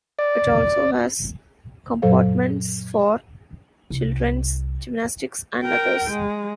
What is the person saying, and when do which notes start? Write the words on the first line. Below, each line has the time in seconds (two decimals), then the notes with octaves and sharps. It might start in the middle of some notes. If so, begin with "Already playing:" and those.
It also has compartments for children's gymnastics and others.
0.19 D5
2.02 F#2 A#2 F#3 A4 C5 F5
3.90 C2
5.63 A#4 G5
6.10 G#3